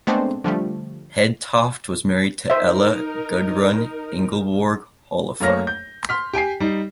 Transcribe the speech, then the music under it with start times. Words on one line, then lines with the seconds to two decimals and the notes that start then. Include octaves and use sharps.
Hedtoft was married to Ella Gudrun Ingeborg Holleufer.
0.07 G#3 A3 B3 C4 D4 C5
0.44 D3 F3 G3 A3
2.50 D#4 A#4 C5 E5
5.40 F#2 A3 A#3 C#5 F6 A#6
5.67 G6
6.09 C6 F6 B6
6.33 G4 G5 G#5 C7
6.60 G3 D#4